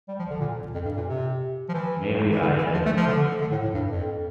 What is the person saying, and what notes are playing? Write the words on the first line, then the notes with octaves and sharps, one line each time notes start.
May be, I have not.
G3
F3
D3
A#2
F2
G2
A#2
C3
F3
E3
E3
D3
E3
F3
A3
F3
D3
D3
A2
A2
G2
F2